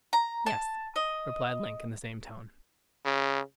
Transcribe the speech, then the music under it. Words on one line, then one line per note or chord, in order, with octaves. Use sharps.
"Yes," replied Link in the same tone.
A#5
A5
D#5
C#3